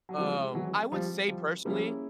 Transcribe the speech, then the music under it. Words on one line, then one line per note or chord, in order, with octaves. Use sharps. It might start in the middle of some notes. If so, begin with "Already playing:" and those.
Um, I would say, personally
F#3
F3 G3 G#3 C4 E4
E3 F#3
F3 G3
F3 G3
F3 G3 A#3 C#4 E4 G#4